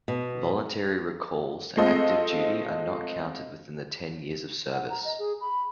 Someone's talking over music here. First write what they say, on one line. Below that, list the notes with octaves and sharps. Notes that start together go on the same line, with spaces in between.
Voluntary recalls to active duty are not counted within the ten years of service.
B2
G#3 A3 C4 F4 A4 D#5
F#5
A#5
D#5
G#4
B5